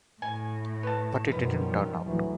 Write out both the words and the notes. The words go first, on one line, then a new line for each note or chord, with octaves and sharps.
But it didn't turn out.
A2 G#5
B4 A5
F#2 B2 D#3 F3 G3 B4
D2 A2 E3 F#3